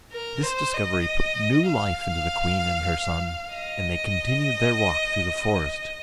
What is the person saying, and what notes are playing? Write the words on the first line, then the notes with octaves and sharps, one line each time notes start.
This discovery put new life into the queen and her son, and they continued their walk through the forest.
A#4
C5
D#5
F5
D#5